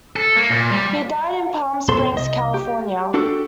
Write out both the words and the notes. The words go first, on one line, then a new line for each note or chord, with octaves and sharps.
He died in Palm Springs, California.
A4
A#3
A#2
G3
F2 B2 A4 C5 C6
C2 D#5
G4
D4 F#4 G4 A4